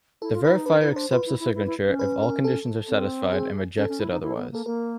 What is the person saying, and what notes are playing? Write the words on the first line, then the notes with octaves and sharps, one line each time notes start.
The verifier accepts a signature if all conditions are satisfied and rejects it otherwise.
E4 A4
F4
E4 B4
D#4
D4 B4
E4 B4
D#4
D4 C5
F4 B4
E4
E4
E4
E4
C#4
B4
A#4
A4
C4
G#4
C#4 A4
C#4
E4
D#4
E4
B3
A#3 A4
A#3 A#4